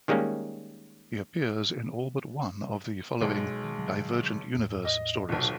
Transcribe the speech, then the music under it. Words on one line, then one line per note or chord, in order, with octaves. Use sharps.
He appears in all but one of the following Divergent Universe stories.
D#3 G3 G#3 A#3 C#4
B1 G#3
D#3
D3 F#3
E2 A2
D#5
D#1 B1 C3